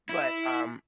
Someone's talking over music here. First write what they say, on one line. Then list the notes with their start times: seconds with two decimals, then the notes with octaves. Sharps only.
But, um,
0.09 E4